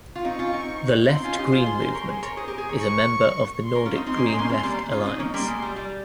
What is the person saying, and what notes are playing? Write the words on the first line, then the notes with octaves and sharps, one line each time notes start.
The Left-Green Movement is a member of the Nordic Green Left Alliance.
F4
C4 D#4 C#6
C#4 F4
C4 D#4
C4 D#4 C6
C#4 F4
D#4 G4
F4 G#4
G#4 C5
G4 A#4
A#4 C#5
G#4 C5
A#4 C#5
G#4 C5
G4 A#4
G#4 C5
A#4 C#5
C#6
C6
A#4 C#5
C#4 F4
C4 D#4
C4 D#4 C6
A#3 C#4
G#3 C4
D#4
A#3 C#4
G#3 C4
G3 A#3
C#4 F4
C4 D#4
A#3 C#4
G3 A#3 C6
G#3
G3
G3